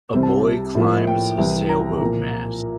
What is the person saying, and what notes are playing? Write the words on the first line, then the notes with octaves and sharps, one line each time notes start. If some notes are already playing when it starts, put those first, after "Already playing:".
A boy climbs a sailboat mast.
C2 C3 G3 C4
A5
A2 F3 A#3
G5
C2 C3 E3
A#5
A#2 F3 A#3